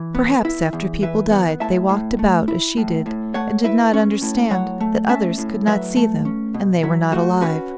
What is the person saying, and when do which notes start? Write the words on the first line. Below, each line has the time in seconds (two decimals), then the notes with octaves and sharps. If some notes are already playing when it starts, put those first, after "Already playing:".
Perhaps after people died they walked about as she did and did not understand that others could not see them and they were not alive.
Already playing: E3
0.15 B3
0.45 E4
0.73 E2
1.02 E3 B4 E5
1.31 B3
1.60 A2 E5 A5
1.89 A2
2.19 A3
2.48 E4
2.77 A2
3.06 A2
3.34 A3 C#5 F#5
3.64 E4 B4 E5
3.94 C#4
4.22 A2
4.51 F#3 C#5 F#5
4.80 A3
5.09 C#4 E5 A5
5.38 A2
5.67 F#3 B4 E5
5.96 A3
6.25 C#4
6.54 B2
6.83 F#3 E4
7.12 A3 F#4
7.41 C#4 F#4 B4